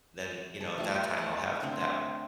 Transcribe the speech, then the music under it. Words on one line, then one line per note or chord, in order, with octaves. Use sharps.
then, you know, at that time, I'll have that
A4
A3 F4 G4
B4 F5 F#5 A5
D3 A3 C4